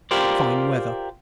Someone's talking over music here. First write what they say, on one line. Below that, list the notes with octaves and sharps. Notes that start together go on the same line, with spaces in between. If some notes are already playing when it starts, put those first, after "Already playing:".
Fine weather.
F4 G4 A#4 C5 D5